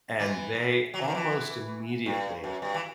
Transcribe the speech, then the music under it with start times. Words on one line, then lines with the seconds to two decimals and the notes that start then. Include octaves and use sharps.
and they, almost immediately
0.19 E3
0.94 F#3
1.01 E3
1.08 D#3
1.15 E3
2.06 G2
2.44 F#2
2.62 G2
2.74 E3